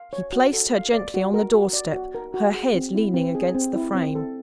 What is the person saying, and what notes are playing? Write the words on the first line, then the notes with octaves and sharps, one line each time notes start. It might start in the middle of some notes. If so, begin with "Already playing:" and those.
He placed her gently on the door-step, her head leaning against the frame.
Already playing: F5
C#5
F#4
A4
F5
D5
F#4
A#4
F#4
D5
F#4
A#4
F#4
G#4
C4
E4
C4
G#4
C4
E4
C4
A4